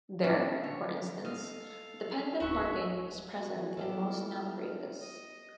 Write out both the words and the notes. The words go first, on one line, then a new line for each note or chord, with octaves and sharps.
There, for instance, dependent-marking is present in most noun phrases.
C#4 D4
D3 C#5
A4 D#5 F5 F6
D1 G#1 F#4 B4 E5 C#6
F#4 G#5
B3 E4 F4 G4 A4 G5 F6
D#5